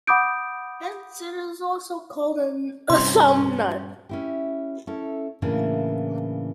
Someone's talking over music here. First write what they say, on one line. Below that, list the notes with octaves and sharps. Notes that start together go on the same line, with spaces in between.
Hence it is also called a thumb nut.
F#5 B5 D6 D#6 G6 D7
G2 C3 C#4 C6
C#4 E4 G4
C#4 E4 A4
A2 C#3 E3 A#3 D4 E4